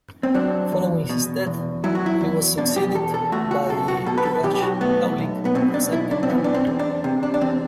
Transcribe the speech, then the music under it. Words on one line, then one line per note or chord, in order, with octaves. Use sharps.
Following his death he was succeeded by Juraj Haulik as acting ban.
C4
F#3 D4
E2
B2
E2
F#3 E4
F#4
E4
E2
B2 D4
G4
E2 A4
A4
A3 F#4
F#4
B1 A4
F#4
B2 A4
B4
A4
B1 G4
G4
F#4
A3 B3
B1
B3
B2 C4
D4
B1 E4
D4
C4
E3 B3
D4
C4
E2
D4
C3
D4
D4
E2 C4